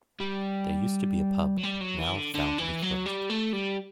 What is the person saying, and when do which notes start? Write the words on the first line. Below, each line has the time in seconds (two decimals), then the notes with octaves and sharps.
There used to be a pub, now found to be closed.
0.20 G3
1.58 F#3
1.63 G3
1.81 F#3
1.99 E3
2.16 D3
2.34 D3
2.58 E3
2.82 F#3
3.06 G3
3.30 A3
3.53 G3